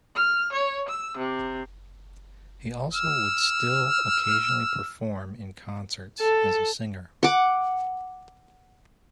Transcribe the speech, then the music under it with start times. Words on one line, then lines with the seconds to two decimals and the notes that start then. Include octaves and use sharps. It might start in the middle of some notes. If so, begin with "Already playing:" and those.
He also would still occasionally perform in concerts as a singer.
0.16 F6
0.53 C#5
0.89 E6
1.18 C3
2.94 E6 F6
6.19 A4
7.23 F#5 D6